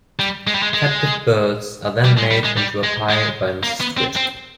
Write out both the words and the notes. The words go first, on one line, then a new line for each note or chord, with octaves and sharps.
Captive birds are then made into a pie by Mrs. Twit.
G3
G#3
G3
G#3
G#3
G3
G#3
G3
G#3
G3
G#3
G#3
A#3
B3
C4
C4